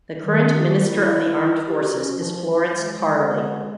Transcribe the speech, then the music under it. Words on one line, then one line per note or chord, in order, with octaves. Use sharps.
The current Minister of the Armed Forces is Florence Parly.
D#3 G3
C#4
G4
F#4
E4
G4
F#4
C#4
F3
E3 G#3
D3